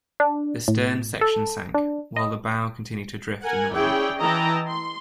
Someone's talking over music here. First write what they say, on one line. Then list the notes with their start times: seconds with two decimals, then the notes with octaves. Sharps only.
The stern section sank, while the bow continued to drift in the wind.
0.20 D4
0.68 A2
1.21 A4
1.74 D4
2.16 D#5
3.44 A#4 F#5 G#5
3.74 C#4 E4 G#4 C#5 D5 G5
4.20 E3 E4 D#5 G5 A5 A#5
4.67 C6